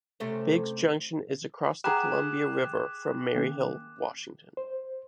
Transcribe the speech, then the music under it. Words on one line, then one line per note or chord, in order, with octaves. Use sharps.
Biggs Junction is across the Columbia River from Maryhill, Washington.
C3 A3 C#4
G4 G#4 F#5 A#5 B5 D6 F#6 E7
D#3 A#3 C#4
C5